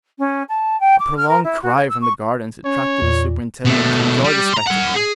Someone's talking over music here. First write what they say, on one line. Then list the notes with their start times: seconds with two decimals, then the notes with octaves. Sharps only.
A prolonged cry from the gardens attracted the superintendent to enjoy the spectacle.
0.19 C#4
0.49 A5
0.80 G5
0.99 D6
1.17 F6
1.29 A#4
1.44 E4
1.62 F#4
1.76 C#5
1.89 E6
2.01 C#6
2.65 C#4 C#5
3.02 E2 A#2
3.66 B2 A3
4.24 G3
4.53 A#5 C6
4.66 A#4 F#5
4.95 G#4